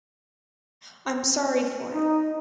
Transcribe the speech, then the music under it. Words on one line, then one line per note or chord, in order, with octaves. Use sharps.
I’m sorry for it.
D#4